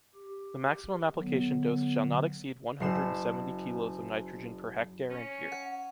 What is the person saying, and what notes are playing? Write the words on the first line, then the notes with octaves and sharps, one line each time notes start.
The maximum application dose shall not exceed one hundred and seventy kilos of nitrogen per hectare and year.
G4
D3 F#3 B3
F#1 C7 E7
C#4
F#5